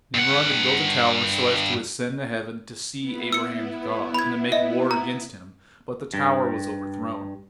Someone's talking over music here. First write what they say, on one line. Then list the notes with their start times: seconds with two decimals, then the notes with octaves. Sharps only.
Nimrod then built a tower so as to ascend to heaven "to see Abraham's god", and make war against Him, but the tower was overthrown.
0.14 G2 F#5
2.99 B3 E4
3.32 E6 C#7
4.14 B5 G#6
4.52 D#5 E5
4.91 A#5
6.14 G2